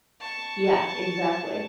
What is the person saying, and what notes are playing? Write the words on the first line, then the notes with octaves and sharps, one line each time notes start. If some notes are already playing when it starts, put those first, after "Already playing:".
Yeah, exactly.
A5 C#6